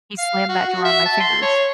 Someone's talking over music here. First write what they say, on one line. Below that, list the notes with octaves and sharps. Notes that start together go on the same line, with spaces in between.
he slammed that door on my fingers,
F5
F#4
F#4
E5
A5
C6
C#5